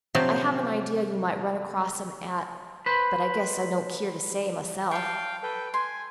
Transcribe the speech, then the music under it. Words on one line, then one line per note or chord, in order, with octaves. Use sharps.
I have an idea you might run across him at--but I guess I don't keer to say, myself.
C3 F3 F#3 C4
B4 C5
F5 G5 A5 C#6
A4 B4 G5
G#5 C6